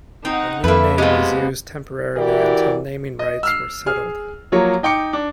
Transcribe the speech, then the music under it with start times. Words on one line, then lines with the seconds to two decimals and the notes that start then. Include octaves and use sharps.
The new name was used temporarily until naming rights were settled.
0.25 C4 D#4 F#5
0.64 F2 A#3 A4 B4 E5
0.98 A#2 G#3 B3 C4 G4 F5
2.17 E3 E4 F#4 G4 A#4 D5
3.19 D#5
3.43 E6 F6 C7
3.86 G#4 F6
4.52 F3 F#3 A#3 C#5
4.83 D#4 G5 D6 C#7
5.13 D4